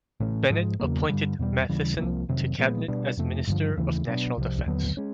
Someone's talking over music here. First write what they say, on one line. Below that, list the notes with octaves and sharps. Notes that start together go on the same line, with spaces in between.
Bennett appointed Matheson to Cabinet as Minister of National Defence.
A2 E3 A3 C#4
G#2 F3 G#3
E2 C#3 F#3 A#3
G2 D3 G3
E2 B2 G3
D#2 C#3 E3 G3
C2 C3 F3 A#3
F2 C3 D#3 F#3
A#2 F3 G#3 B3
B2 G3 B3 D4
F2 C3 F3 A3
G2 D3 F3
D#2 C#3 E3 A3
B2 F#3 B3 D4
C2 C3 F3
D#2 D3 F#3 B3
G#3 C#4